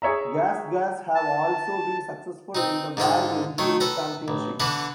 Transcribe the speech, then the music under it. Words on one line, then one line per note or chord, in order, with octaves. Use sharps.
Gas Gas have also been successful in the World Enduro Championship.
G#4 C#5 E5 A#5
A5
C4 D#4
G#2 D3 F4 G5
D#3 A3 C#5
A4 B4 A#5
A1
D3 E3 B3 D4 B4